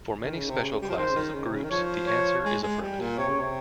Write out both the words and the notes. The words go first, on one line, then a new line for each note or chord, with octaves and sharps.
For many special classes of groups, the answer is affirmative.
D#3
C#3
C3
C#3
G3
F3
D#3 C5
C#3
D#3
C#3
C3
C#3
D#3
F3 C#5
C#5
G#3
G#3
G3
A#2
C3 C#5
C#3
C3